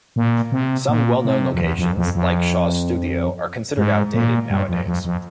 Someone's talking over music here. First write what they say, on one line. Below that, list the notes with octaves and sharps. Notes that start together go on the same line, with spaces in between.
Some well-known locations, like Shaw's Studio are considered outdated nowadays.
A#2
C3
A#2
C3
F2
E2
F2
F2
F2
G#2
A#2
G2
F2
F2
F2